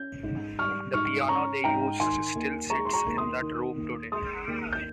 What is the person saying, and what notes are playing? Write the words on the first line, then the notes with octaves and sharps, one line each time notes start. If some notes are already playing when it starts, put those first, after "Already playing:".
The piano they used still sits in that room today.
Already playing: C#4 G6
G#2
G3 C#6 F6
G#2 C#6 F6
D#6
C#4 A#5 C#6
G#2 G5 A#5
D#3 G#5 C6
D#2
G#3 A#5 C#6
C6
A#5 C#6
D#2
C6 D#6
D#3
D#2
G#3 C6 D#6
D#2
G6